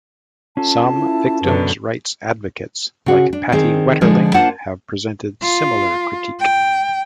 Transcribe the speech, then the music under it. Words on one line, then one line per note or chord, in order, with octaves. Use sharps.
Some victims' rights advocates like Patty Wetterling have presented similar critique.
C#4 F4 A4 A5
E4
F#2 B2 D3 B4
C#3 F#4
D4
D#3 C4 G#4 C5
D3 F3 G#3
A#3 D4 F4 C5 F#5 A5
F4
G5